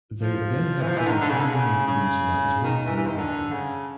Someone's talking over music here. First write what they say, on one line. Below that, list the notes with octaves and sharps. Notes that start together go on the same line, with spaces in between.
They again had trouble finding a producer that was willing to work with them.
F3
E3
F3
E3
D3
D#3
D3
C#3
D3
C#3
C#3
D#3
E3
E3
D#3
D3
C#3